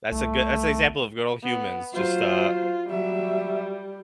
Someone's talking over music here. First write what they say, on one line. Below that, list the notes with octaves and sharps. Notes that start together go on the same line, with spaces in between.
That's a good that's an example of good old humans just, uh
C2 A3
B3
F#3 F4 C5
F#3 G3 E5